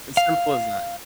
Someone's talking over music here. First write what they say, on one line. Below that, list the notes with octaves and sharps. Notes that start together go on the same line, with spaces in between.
It's simple as that.
F5